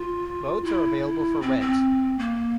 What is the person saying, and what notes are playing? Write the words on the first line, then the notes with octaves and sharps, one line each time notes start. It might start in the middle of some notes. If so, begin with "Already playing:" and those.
Boats are available for rent.
Already playing: F4
E4
C4
C4
A#3